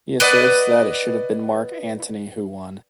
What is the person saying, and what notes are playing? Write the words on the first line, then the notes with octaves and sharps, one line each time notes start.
He asserts that it should have been Mark Antony who won.
B4 D5 D#5 F#5